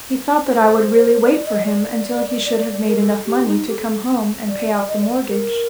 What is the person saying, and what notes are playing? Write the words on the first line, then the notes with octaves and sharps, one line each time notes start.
He thought that I would really wait for him until he should have made enough money to come home and pay off the mortgage.
C5
D5
D#5
D5
D5
D5
D5
A#4
A4
G4
D#4
G4
A4
A4
D5
D#5
D5
C5
A#4